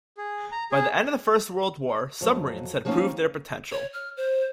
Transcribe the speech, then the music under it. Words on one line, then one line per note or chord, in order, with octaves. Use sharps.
By the end of the First World War submarines had proved their potential.
G#4
A#5
G#4
F2 F#3
F3 G3 A#3 C4 C#4 D#4
C#5
F6
C5